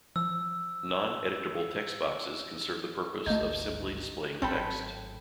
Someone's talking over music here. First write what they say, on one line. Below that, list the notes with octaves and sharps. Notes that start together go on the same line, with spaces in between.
Non-editable text boxes can serve the purpose of simply displaying text.
F3 E6
G#1 D2 G#2 A3 D#4 G6
G#1 A2 F#3 C4 A4 G5 B5